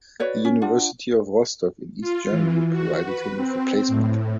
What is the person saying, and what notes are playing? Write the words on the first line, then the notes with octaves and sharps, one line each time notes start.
The University of Rostock in East Germany provided him with a placement.
F#4 B4 C#5 D5
C#4
D4 F4 F#5
F4
E3
F#4
B4
C4
A2